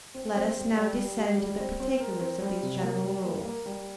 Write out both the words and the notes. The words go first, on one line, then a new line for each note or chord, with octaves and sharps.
Let us now descend to the particulars of these general rules.
C4
C4
G3
G3
G3
G4
G3
C4
C4
A#4
C4
G3
C3
A#3
G3
A#3
A#3
G3